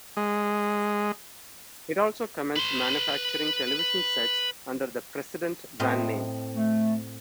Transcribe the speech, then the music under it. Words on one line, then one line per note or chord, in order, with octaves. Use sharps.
It also commenced manufacturing television sets under the Precedent brand name.
G#3
B4 C6
A2 C4 D#5
A3